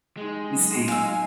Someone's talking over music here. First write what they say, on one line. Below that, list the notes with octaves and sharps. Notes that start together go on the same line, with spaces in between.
you see?
G#3 D#4 G4
F#3 C4
F5 G#5 E6